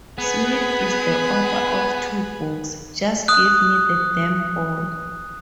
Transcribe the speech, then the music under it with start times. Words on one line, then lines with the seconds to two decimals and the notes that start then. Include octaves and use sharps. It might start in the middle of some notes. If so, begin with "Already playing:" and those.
Smith is the author of two books: Just Give Me the Damn Ball!
0.18 B3 G#4 B4
3.28 D#6 F#6